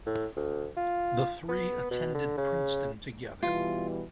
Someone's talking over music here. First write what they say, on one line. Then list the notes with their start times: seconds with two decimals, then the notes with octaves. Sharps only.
The three attended Princeton together.
0.06 A2
0.37 D2
0.77 F4
1.48 B3
1.91 B2
2.14 D3
2.38 C#3
3.43 B2 E3 G3 F4